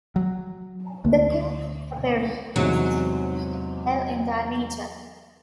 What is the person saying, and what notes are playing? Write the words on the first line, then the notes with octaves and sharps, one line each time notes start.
The core built up area, this is roughly a mile in diameter.
F#3
D2
E2 G#2 C3 F#3